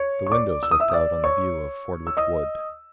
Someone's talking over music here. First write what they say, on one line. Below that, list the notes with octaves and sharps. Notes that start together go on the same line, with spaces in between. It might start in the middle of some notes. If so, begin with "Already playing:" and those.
The windows looked out on a view of Fordwitch Wood.
Already playing: C#5
C#6
D5 D6
E6
D#6
E5 E6
D#6
D5 D6
C#5 C#6
E6
D#5 D#6